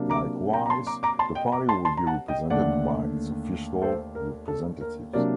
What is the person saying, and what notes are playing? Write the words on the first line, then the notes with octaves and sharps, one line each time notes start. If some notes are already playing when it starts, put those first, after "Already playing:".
Likewise, the party would be represented by its official representatives.
Already playing: C3 F#3 A#3 D4
A#5 D6
G5 A#5
A#5
A5 C6
A#5 D6
A#5 D6
A5 C6
D#5 G5
A#5 D6
A5 C6
A5 C6
A#5
F#5 A5
D#5 G5
D#2 D3 A3 D4 D5 F#5
A4 C5
A#4
A4
A#4
C3 F#3 A#3 D4 A#4 D5